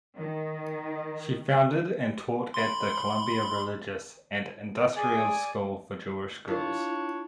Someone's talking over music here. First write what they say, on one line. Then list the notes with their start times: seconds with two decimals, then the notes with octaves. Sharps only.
She founded and taught at the Columbia Religious and Industrial School for Jewish Girls.
0.15 D#3
2.54 B5 C6
4.96 G#4 D5 G#5
6.48 D4 E4 F4 C#5